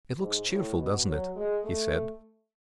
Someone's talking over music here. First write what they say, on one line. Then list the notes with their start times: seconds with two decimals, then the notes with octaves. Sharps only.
"It looks cheerful, doesn't it?" he said.
0.20 G#2
0.49 A2
0.78 B2
1.07 F#3
1.36 G#3
1.64 A3